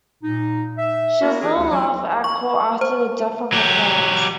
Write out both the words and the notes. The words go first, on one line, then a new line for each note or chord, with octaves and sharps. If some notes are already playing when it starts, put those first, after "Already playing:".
She was little loved at court after the death of her parents.
A#2 D#4
E5
A#3 B3 D4 E4 F#4 A#4
E3 F4 G4 G#4 A#4
D2 F#5
F#3
C#6
C5
F#3 G4